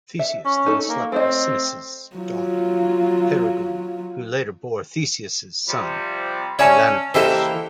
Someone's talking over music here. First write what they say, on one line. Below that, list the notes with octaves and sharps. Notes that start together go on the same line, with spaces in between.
Theseus then slept with Sinis's daughter, Perigune, who later bore Theseus's son, Melanippus.
E5
C#4
D#4 A4
A#3
A3 C4 C#5 D#5
F#3 F4
C3 F3 G3
C#4 C#5 D5 E5 G#5 A5
E3 A#3 G4 A4 C5 D#5 E5